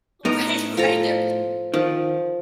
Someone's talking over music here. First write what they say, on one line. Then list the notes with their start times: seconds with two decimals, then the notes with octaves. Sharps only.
Right, right. Their
0.25 A2 B3 D#4 A#4 A#5
0.77 F3 A4 A#5
1.74 D#3 F3